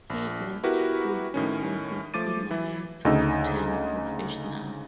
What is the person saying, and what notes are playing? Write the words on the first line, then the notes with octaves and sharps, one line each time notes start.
He left school before his senior year to turn professional.
A#1
B3 E4 F#4 G4 A#4 B4
A2 D#3 C#4
F3 A3 D6 A6 D#7
E3 E4
D2 C#3 D#4 D#5 E6